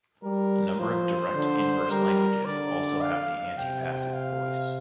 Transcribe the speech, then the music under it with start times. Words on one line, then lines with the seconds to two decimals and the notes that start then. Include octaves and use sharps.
A number of direct-inverse languages also have the antipassive voice.
0.23 G3 A#4
0.79 F3 C5
1.35 D3
1.90 G3 A#4
2.46 D3 D5
3.01 F5
3.57 C3 G5
4.13 F5